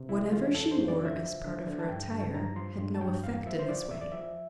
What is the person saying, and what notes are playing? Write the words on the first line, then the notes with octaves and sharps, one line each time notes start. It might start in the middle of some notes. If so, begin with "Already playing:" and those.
Whatever she wore as part of her attire had no effect in this way.
Already playing: C3
C2 E4
E3 F4
F2 A4
C5
F2
D5
D3
E5
F3
D3
D3
A5
G2 G5
G2 A5
G2 A#5
F3 C6
G2
A5
G2 G5
E2 F5
F3 E5
C5
F3 D5
E2 E5
D5
F3 E5